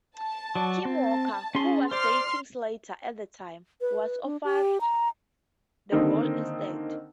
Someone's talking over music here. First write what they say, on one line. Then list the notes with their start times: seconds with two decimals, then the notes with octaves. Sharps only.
Kim Walker, who was dating Slater at the time, was offered the role instead.
0.18 A5
0.55 F#3 D5
0.85 C4 A5
1.55 C#4 G#4 C6
1.91 C5 D5 C6 F6
3.81 B4
4.24 D4
4.44 G4
4.81 A#5
5.92 D3 D#3 A#3 C4 D#4